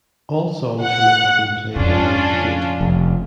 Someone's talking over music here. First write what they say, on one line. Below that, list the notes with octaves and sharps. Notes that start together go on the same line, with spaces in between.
All songs from it have been played live to date.
F#5
F2 C#3 C#4 D4 F4
F1